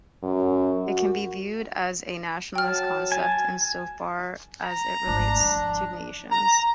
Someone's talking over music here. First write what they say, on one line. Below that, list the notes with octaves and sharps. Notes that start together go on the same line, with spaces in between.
It can be viewed as a nationalist concept, insofar as it relates to nations.
F#2
F#4
F#3 G5 A5 F6
G#5
A#5
G#1 A3 D4
F3 G3
A#5